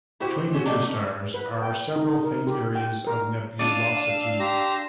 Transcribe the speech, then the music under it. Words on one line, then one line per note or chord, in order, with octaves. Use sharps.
Between the two stars are several faint areas of nebulosity.
E4 F#4 G4 C5
C5
C4 C#4 F#4
F#3 A3 D#4 G4 D5
C#4 D5
B4
G5
D#4
A#4
G4
G5
A#4
D4 D5 F5 E6 D#7
G4 A#5 C6